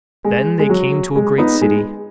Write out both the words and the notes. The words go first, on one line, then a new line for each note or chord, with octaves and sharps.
Then they came to a great city.
G#3
G#3
F#3
G#3
B3 D#4
G#3